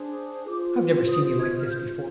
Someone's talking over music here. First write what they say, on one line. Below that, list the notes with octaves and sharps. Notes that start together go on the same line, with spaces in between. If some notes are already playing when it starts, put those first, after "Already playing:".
I've never seen you like this before.
Already playing: D4 G#4 C5
F4 C5 D6
D#6
G#6
F6
G6